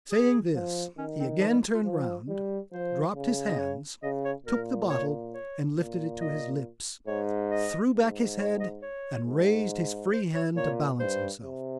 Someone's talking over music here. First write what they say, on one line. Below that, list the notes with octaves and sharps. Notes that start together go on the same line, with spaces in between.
Saying this he again turned round, dropped his hands, took the bottle and lifted it to his lips, threw back his head, and raised his free hand to balance himself.
G#4
F3
D#3 C#4
C4
F3
G3
F4
F3
G3
F3 C5
C#3
D#5
C#5
C#3 D#5
C#5
A#2 A#4
C#5
C#5
A#2
D#5
G#2 C#5
D#5
G#2
C#5
D#5
C#5
G#2
C5
C#5
A#2 C#5
G2 C5
C3